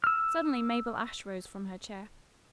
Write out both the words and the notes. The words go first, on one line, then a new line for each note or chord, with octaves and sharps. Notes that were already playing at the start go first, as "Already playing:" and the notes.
Suddenly Mabel Ashe rose from her chair.
E6 F6